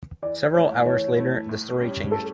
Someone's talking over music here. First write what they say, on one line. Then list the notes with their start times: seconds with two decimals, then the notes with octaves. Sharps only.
Several hours later the story changed.
0.22 E3 D5
0.54 A3 E4 C#5
0.85 E3 C#5
1.17 A3 E4
1.49 A2
1.80 G3 C#4 G4 C#5
2.11 A2 A4